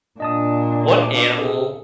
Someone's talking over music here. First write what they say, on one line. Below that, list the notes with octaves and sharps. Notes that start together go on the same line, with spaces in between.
What animal,
A#2 D4 D#5 A5 D#6
D6
G#4 A4